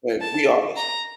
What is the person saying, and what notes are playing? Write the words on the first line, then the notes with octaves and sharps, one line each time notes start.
Like, be honest.
A5
A#5